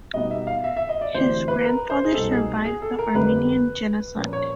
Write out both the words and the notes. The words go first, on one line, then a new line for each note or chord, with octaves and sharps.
His grandfather survived the Armenian genocide.
B2 G3 B3 D#4 D#5
E5
F5
E5
E5
D#5
D5
D2 C3 E3 C5
B4
A#4
C5
G#4
C2 B2 G3 B3 D#4 A4
G#4
G#4
A4
A#4
F2 D3 G3 A#3 B4
A#2 F3 A#3 C#4
C#5